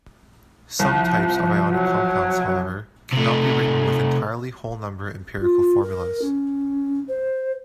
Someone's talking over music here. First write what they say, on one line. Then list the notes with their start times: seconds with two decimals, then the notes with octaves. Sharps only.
Some types of ionic compounds, however, cannot be written with entirely whole-number empirical formulas.
0.79 C2 F3
1.64 F#3
3.13 C3 A3
5.41 F4
5.82 A#4
6.22 C#4
7.08 C5